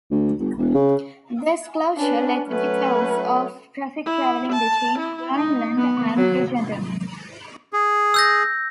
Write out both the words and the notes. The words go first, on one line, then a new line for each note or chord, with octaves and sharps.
This closure led to detours for traffic traveling between Vineland and Bridgeton.
D2
G1
E1
C#3
C#4 D4 B4
F#3 A3 C#4 B4
E4
A5
E4
D#4
B3
F#3
G#4
E6 G6 A#6